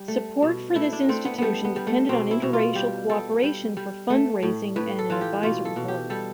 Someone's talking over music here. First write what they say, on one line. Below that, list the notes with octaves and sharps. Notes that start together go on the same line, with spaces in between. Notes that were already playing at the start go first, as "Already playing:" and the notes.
Support for this institution depended on interracial cooperation for fund-raising and an advisory board.
Already playing: G3
A3
B2
A3 E4
D4
A3 C4
B3
G3 A3 B3
B3
G3
A3
B2 C4
E4
B2
F4
G3 G4
G3 A4
G3
G3
A3
A2
A2 B4
A4
E3 F4
G4
B2 F4
A4
B2
G4
G3 A4